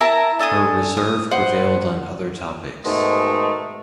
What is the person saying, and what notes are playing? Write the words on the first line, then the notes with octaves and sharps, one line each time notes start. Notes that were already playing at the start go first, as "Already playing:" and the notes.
Her reserve prevailed on other topics.
E4 A#4 A5 A#5
D4 A4 G#5 D#6
D#6
B4 C5 F#5
G#2 B2 D#3 G#3 A3